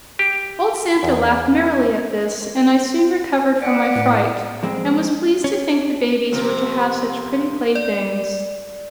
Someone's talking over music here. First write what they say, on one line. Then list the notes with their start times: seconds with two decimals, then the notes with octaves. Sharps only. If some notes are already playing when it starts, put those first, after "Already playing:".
Old Santa laughed merrily at this, and I soon recovered from my fright and was pleased to think the babies were to have such pretty playthings.
0.19 G4
1.03 E2
3.61 B4 D5 F#5
3.96 A2
4.63 F2 G#3 C4
5.44 C#4
6.32 C3 F3 A#4
7.75 D5